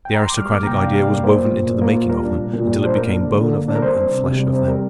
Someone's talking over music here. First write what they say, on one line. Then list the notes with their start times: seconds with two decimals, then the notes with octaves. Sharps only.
The aristocratic idea was woven into the making of them until it became bone of them and flesh of them.
0.05 G5
0.14 A#5
0.23 C6
0.30 D6
0.37 G3 F6
0.52 A#3 D6
0.63 A#5
0.67 C3 G5
0.81 D4 F5
0.93 G3 F5
1.02 D5
1.10 A#3
1.23 A#3 C5
1.39 F4
1.52 A#2
1.67 A#2
1.82 A#3
1.96 F4
2.10 G3 A#4
2.25 D4
2.39 A#2
2.53 A#2
2.67 G3
2.82 D4 C5
2.96 A#3 A#4
3.11 D4
3.24 D3
3.39 D3
3.54 A#3
3.68 D4
3.75 A#4
3.82 G3 C5
3.96 C4
4.12 C3
4.26 C3
4.39 G3
4.53 C4
4.68 G3 A#4